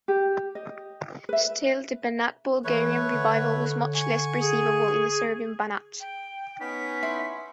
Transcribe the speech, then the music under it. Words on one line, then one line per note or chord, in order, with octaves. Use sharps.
Still, the Banat Bulgarian revival was much less perceivable in the Serbian Banat.
G4
D#5
B4 E5
E3 A3 B4 C#5
D3
G#5 C#6
G#4
G5
B3 C#4 D#4 B6
E4 B5 C6